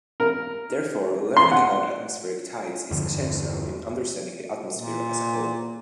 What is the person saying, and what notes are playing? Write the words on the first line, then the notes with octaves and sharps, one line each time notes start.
Therefore, learning about atmospheric tides is essential in understanding the atmosphere as a whole.
A#4
C6
F#5
E2 G2 D3 F3
A#2